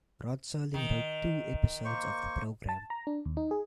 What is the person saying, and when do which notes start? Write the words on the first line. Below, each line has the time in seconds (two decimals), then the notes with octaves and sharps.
Rod Serling wrote two episodes of the program.
0.74 D#3
1.85 A#3 C5 C#6
2.69 A5
2.90 A#5
3.07 D4
3.25 D#2
3.37 D#4
3.51 G#4